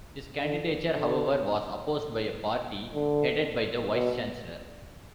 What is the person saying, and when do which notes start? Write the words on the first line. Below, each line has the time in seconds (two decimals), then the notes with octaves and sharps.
His candidature, however, was opposed by a party headed by the vice-chancellor.
0.42 D3
0.93 D3
2.94 D3
3.94 B2